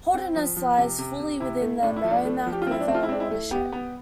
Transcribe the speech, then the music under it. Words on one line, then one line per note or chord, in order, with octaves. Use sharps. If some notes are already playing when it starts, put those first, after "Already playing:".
Holderness lies fully within the Merrimack River watershed.
C4
F3
F3
C3
C3
C3
C3 E4
A3
A2 D4
E4
F3
D4
A3
F3
G4
F4
C4 E4
D4
C4
F4
E4
C4 D4
E4
A3
B3 G4
B3